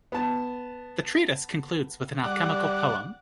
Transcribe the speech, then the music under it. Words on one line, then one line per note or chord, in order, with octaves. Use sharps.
The treatise concludes with an alchemical poem.
B3 A5
G3 D5 F#5